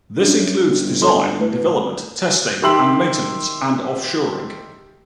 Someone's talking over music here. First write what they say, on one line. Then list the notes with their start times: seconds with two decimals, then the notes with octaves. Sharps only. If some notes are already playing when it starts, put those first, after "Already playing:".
This includes design, development, testing and maintenance, and off-shoring.
0.21 F#2 D4
0.68 G1
1.01 A4 D#5 C6
1.39 A3 E4 B4
2.62 D#3 G4 E5 C6 E6 F#7